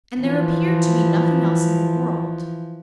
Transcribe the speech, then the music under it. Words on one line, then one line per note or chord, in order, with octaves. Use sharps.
And there appeared to be nothing else in the world.
E3 F3